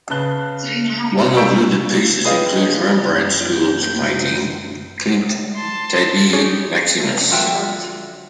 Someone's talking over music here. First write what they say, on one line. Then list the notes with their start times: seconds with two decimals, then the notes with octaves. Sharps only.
One of looted pieces includes Rembrandt school's painting 'Klint Tabie Maximus'.
0.10 C#3 B4 A5 F#6 G7
1.36 F5 C#6 E6 G6 B6 D7
2.24 G#4 B4 C#5 D#5 F5 G5
3.10 F#2 G5
5.55 A5 C6
6.33 C#4 D#4 G4 G#4
7.31 D3 F3 F#3 F4 E5 G5